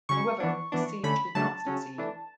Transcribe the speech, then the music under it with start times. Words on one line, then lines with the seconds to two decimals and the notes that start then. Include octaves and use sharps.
However the siege did not succeed.
0.09 C#3 F#3 C#4 C#6
0.40 E3 B3 D4
0.72 E3 B3 D4
1.03 D3 A3 C#4 B5
1.35 C#3 F#3 A3 D4 A5
1.67 C#3 F#3 C#4
1.98 E3 A3 D4